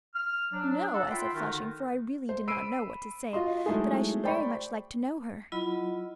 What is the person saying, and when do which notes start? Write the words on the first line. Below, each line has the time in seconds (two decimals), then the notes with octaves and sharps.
"No," I said, flushing, for I really did not know what to say; "but I should very much like to know her."
0.15 F6
0.52 F#3 D4
0.93 D#4 A4 F#5
1.11 F4 E5 G5 B5 C6
1.34 D3 D#3 D#4 F4 F#4
2.29 C5
2.48 B5 E6 C7 D7 D#7
3.33 F4 F#4 D#5 C6
3.66 F#3 G#3 A3 D#4 E4 G#4
4.24 C5 D5 G5 B5 C#6
5.52 F#3 E4 F4 D#5 B5